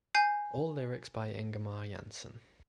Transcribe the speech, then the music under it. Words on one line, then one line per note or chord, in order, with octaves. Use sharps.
All lyrics by Ingemar Jansson.
G#5 G6 C7